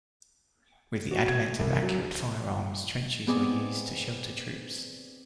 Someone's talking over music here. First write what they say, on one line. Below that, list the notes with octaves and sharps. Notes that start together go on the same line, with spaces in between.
With the advent of accurate firearms, trenches were used to shelter troops.
F#4
G#6
C2
F#3
B3 C4 G#4 D5 D#5